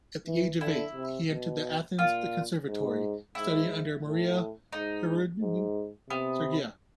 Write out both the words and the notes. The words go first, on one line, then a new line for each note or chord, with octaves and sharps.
At the age of eight, he entered the Athens Conservatoire, studying under Maria Herogiorgiou-Sigara.
E3
D3 E4
C3
B2
A#2 F4
G#2
G#2 E4
A2
G#2 D#4
G#2
C3 B3